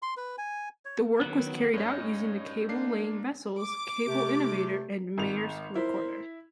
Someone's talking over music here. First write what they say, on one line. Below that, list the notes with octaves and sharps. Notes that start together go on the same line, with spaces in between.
The work was carried out using the cable-laying vessels "Cable Innovator" and "Maersk Recorder".
C6
B4
G#5
C#5
D#3 F#3 B3
G2 C#4 D#4 C#5
A#3 D4 C7
D6
C3 A3 G4
G#1 F7
E4 A#4 C5